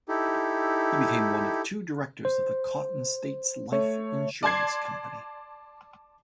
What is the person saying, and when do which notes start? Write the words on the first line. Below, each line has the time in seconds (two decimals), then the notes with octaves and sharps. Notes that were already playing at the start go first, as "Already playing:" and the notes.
He became one of two directors of the Cotton States Life Insurance Company.
0.08 D#4 E4 G4 A4
2.25 C5
3.72 A3 C#5
4.43 D5 A5 C6 G#6 C7